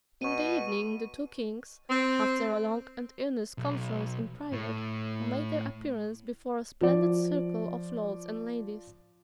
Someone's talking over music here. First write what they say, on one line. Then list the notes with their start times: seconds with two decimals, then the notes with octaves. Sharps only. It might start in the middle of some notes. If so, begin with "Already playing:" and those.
In the evening the two kings, after a long and earnest conference in private, made their appearance before a splendid circle of lords and ladies.
0.22 B2 C#6 D#7
1.90 C4
3.58 B1
4.52 A2
6.81 F3 D5